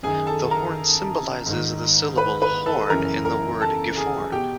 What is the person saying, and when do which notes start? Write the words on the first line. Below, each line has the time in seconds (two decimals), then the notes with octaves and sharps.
The horn symbolises the syllable "horn" in the word Gifhorn.
0.03 F#2 D#3 G#4 G#5
0.27 A4 A5
0.51 A#4 A#5
1.46 G#2 D#3
2.18 B4 B5
2.42 B4 B5
2.66 A4 A5
2.90 F#2 C#3 E3 A#4 A#5
3.25 A#4 A#5
3.61 A4 A5
3.97 G#4 G#5
4.32 B2 G4 G5